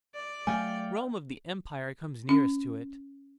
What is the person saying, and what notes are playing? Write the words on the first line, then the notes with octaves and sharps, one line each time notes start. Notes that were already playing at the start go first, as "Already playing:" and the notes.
"Rome of the Empire comes nearest to it...."
D5
F#3 A3 F5 G5 G#5
C#4